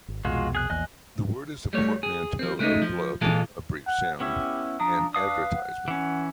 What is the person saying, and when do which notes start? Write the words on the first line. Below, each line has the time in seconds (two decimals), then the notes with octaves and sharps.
The word is a portmanteau of "blip", a brief sound, and "advertisement".
0.08 G#1
0.25 C2 F2 B2 G#3 F4 F#4
0.55 G#4 F#6
0.70 A#1 E2 A#2 D#5 G#5 F#6
1.73 G3 A3 C#5
2.03 G#4
2.39 F3 C4
2.59 C#3 G#3 A3 C#4 D#4
2.82 F3
3.21 A#2 E3 G#3 F4 A4
3.86 F#5
4.20 B3 C#4 E4 G4
4.80 F3 D4 A#5 D#6
5.14 D4 B4 F5 D#6
5.54 F#5
5.88 E3 C#4